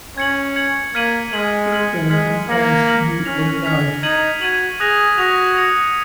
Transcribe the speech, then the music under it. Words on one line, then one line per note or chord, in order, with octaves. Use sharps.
It can sometimes be enlarged.
C#4 G#6 C#7 F#7
G#6 C#7 F#7
A#3 F6 G#6 B6 D#7 F#7
G#3 F6 G#6 B6 D#7 F#7
F6 G#6 B6 F#7
G#3 F6 G#6 B6 F#7
A#3 F6 A#6 C#7 F#7
F6 A#6 C#7 F#7
C#4 F6 B6 F7
F6 B6 F7
D#4 G#6 D#7 F#7
F#4 G#6 D#7 F#7
G#4 D#6 F#6 A#6 F7
F#4 D#6 F#6 A#6 F7
D#6 A#6 C#7 F7